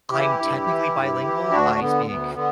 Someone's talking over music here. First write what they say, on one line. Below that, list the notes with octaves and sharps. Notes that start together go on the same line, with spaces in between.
I'm technically bilingual, I speak
E3 E4 G4
G2
E3
G2
E3
D2 D4 F#4
D3 B3
D2 B3
D3 B3